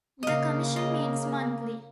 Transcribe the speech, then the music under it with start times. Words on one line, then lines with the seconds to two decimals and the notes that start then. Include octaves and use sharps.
The commission meets monthly.
0.23 C#3 A#3 D#5 F5
0.76 D#5